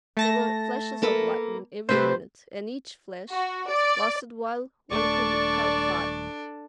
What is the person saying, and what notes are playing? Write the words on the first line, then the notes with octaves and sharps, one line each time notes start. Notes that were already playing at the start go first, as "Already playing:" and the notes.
There were flashes of lightning every minute and each flash lasted while one could count five.
A3 A5 A#6
A#3 A4 B4
C3 A3 G4 B4 C5
F#4
D5
D#1 A3 D4 A4 D5 C#6